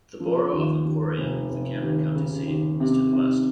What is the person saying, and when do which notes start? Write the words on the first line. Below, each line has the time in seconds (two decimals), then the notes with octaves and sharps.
The borough of Emporium, the Cameron County seat, is to the west.
0.20 F3
0.52 D#2
0.84 D#2
1.17 F1
1.50 F1
1.82 D#2
2.15 C#3
2.47 D#2
2.80 C3
3.13 C3